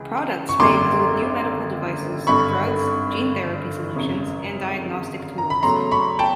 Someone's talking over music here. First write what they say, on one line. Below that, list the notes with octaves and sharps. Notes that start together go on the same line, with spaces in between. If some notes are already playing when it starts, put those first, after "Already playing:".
Products may include new medical devices, drugs, gene therapy solutions and diagnostic tools.
Already playing: C#2 C#3 E3
C#6
G#1 F#2 D3 G3 A#3 C6 D6
G#1 G2 D3 B5 C#6
G#1 F#2 C#3
A#5
B5
E2 C#3 F#3 A3 A#5 C6
B5 C#6
G5 A5